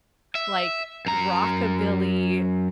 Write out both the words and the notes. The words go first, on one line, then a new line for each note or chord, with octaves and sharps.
like, rockabilly
E5
F#2 A#5